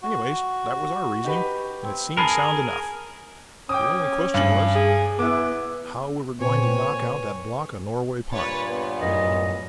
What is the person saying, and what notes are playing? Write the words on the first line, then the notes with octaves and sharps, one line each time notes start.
Anyway, that was our reasoning, and it seemed sound enough; the only question was how we were going to knock out that block of Norway pine.
F#4
D#4 G4 B4
C4
G#4 A#4 G#5 A5 B5 C7
C#4 G5 D6 D#6
G2 F#7
G#4
B3 E4 D6
A#2 C4 B4 C#5 G#5
G2 A#2 B4 C#5 A6
B3
F#2 A2 D#5